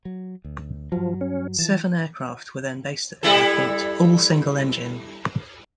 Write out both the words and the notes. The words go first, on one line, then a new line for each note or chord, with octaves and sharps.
Seven aircraft were then based at the airport, all single-engine.
F#3
D2
G2 F3 F#3
C#4
E3 F3 A5
G3 E4 A4